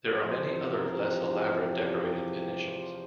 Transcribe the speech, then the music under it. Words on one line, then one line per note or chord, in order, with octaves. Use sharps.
There are many other less elaborate decorated initials.
A#4
E2 C3 F3 C5
A4
A#4
A4
G4
F4